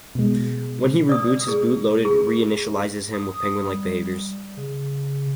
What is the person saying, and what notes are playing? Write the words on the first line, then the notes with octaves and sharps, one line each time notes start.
When he reboots, his boot loader reinitializes him with penguin-like behaviors.
B2 G#3
D5 D#6
G#4
G#4
D#6
G3
C#3